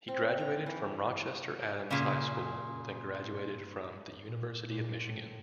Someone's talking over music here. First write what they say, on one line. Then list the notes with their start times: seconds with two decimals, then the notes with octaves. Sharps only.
He graduated from Rochester Adams High School, then graduated from the University of Michigan.
0.08 C4
0.40 A#5
0.66 E3
1.91 A#2 C#3
4.26 A#2
4.69 A#2
5.05 A2